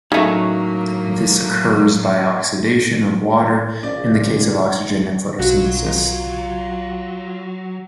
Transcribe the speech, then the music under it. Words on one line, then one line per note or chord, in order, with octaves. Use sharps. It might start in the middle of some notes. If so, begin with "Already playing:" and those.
This occurs by oxidation of water in the case of oxygenic photosynthesis.
A2 C#3 F#3 A3 A#3 D#4 G#5
A#1 C#3 D5
B1 F#3 F4 F#4